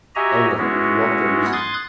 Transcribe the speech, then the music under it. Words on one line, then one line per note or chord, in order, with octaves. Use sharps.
"Oh, no, we could walk there easily."
F#4 G4 D#5 E5 G#5 A#5
G#3 B3 C#4 E4 F#4
C6 D#6 F#6 G#6 A6